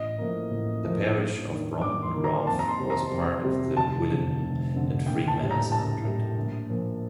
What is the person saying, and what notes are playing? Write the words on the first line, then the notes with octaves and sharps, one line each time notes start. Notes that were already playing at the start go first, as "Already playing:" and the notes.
The parish of Brompton Ralph was part of the Williton and Freemanners Hundred.
Already playing: A1 D#5
A2 F3 A#3
A1
A2 F3 A#3
G2
D#3 A#3
G2 D6
C6
D#3 A#3
A#5
F2 A5
A#5
C6
C3 G3 C4
A#5
F2
C3 G3 C4
F1 A5
F2 D3
F1
F2 D3
A#1 G5
A5
A2 G3
A#5
A#1 A5
A2 G3
A#1
A#2 F3